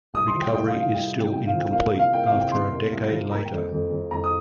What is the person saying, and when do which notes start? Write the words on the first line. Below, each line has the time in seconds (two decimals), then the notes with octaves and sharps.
Recovery is still incomplete after a decade later.
0.14 C2 D#6
0.28 C6
0.35 F3
0.41 G5
0.53 C2 G5
0.67 F5
0.74 C2
0.80 F5
0.94 C2 G5
1.14 C3
1.20 G5
1.33 C3 G5
1.47 F5
1.53 F3
1.60 G5
1.73 A#3 F5
1.93 C3
1.99 F5
2.12 A#3 G5
2.26 F5
2.32 C3
2.40 G5
2.52 C3 C6
2.72 A#3
2.92 C2
3.11 F3
3.31 A#3 A#5
3.45 G5
3.52 F2
3.72 F2
3.91 F2
4.11 F2 A#5
4.24 D#6